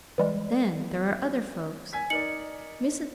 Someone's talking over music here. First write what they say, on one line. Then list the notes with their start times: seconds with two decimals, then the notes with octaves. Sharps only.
Then there are other folks--Mrs.
0.18 E3 G3 G#3
1.93 G#5 G#6 B6
2.10 D#4 A#4 D5 C#7 F#7